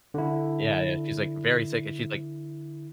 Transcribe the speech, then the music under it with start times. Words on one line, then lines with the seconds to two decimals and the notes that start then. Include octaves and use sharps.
Yeah, yeah. She's like, very sick and she's like
0.14 D3 E4